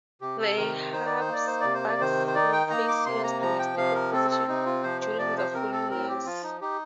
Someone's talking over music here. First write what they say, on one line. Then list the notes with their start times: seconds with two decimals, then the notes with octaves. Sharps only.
The Habsburgs would face serious domestic opposition during the following years.
0.21 C3 G4
0.40 A4
0.57 D#3 A#4
0.92 D#4 C5
1.06 D5
1.20 C5
1.28 A#3 D5
1.47 C5
1.60 C3 D5
1.74 C5
1.88 D5
2.00 D#3 C5
2.27 C5
2.35 D#4 D5
2.53 G5
2.70 A#3 A#5
2.88 D6
3.06 C3 C6
3.24 A#5
3.42 F3 A#5
3.59 G5
3.77 C3 F5
3.94 A#4
4.13 C4 A4
4.31 A4
4.48 C3 D#4
4.66 F4
4.83 F3 C5
5.01 C5
5.19 C3 D5
5.37 C5
5.54 C4 A#4
5.72 A4
5.91 A2 A#4
6.08 G4
6.26 F3 F4
6.43 D#4
6.61 D#4 G4